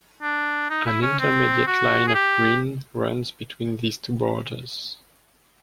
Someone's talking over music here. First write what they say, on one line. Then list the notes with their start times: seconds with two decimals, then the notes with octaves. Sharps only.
An intermediate line of green runs between these two borders.
0.22 D4
0.70 D#4
0.87 E4
1.02 C#4
1.19 C4
1.67 F#4
2.07 G#4
2.14 G4